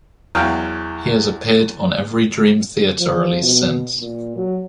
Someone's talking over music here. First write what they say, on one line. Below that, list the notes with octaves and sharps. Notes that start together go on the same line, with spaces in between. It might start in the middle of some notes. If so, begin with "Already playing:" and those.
He has appeared on every Dream Theater release since.
E2 F#3 F5 G5
F3
B2
A#2
F#3